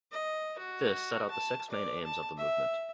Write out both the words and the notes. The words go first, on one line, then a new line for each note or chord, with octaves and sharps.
This set out the six main aims of the movement.
D#5
F#4
A5
D5
A5
E5